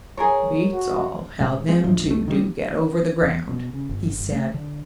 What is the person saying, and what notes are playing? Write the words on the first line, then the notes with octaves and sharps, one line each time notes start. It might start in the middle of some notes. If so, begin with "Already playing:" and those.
"Beats all how them two do get over the ground," he said.
G#4 A#4 C#5
F#4
A#2 G#3
G#3 C4
G#1 D2 A2 F3
C#2 A3
D#3 F3 G3
E2
B2
C#3
G1
G1
A3
D3